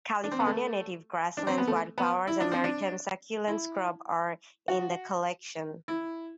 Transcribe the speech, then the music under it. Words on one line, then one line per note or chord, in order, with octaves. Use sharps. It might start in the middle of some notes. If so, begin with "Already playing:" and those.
California native grasslands, wildflowers, and maritime succulent scrub are in the collection.
D4
C4
B3
A3
D4
C4
B3
A3
B3
E4
D4
C4
D4
E4
F#4
E4